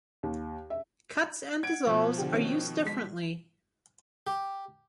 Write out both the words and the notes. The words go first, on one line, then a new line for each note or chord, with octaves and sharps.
Cuts and dissolves are used differently.
D#2
E5
F#5 G#6 D7
B2 F3
D3 G4
D#3 C4 C#4
G#3 B6
G4